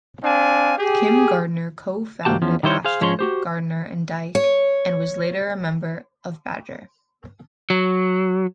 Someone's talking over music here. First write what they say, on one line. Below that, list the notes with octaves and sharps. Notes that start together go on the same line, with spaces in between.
Kim Gardner co-formed Ashton, Gardner and Dyke and was later a member of Badger.
C4 D4 F5 G#5
G4 G#4
D2 G#2 A#3 F#4 G4 A5
E2 F3 C#4
D#3 G3 E4 C5 C#5
G#4 C5 F5
G#2 F3 C#4 G#4 C#5 C6
F#4 G4 C5
C#5
F#3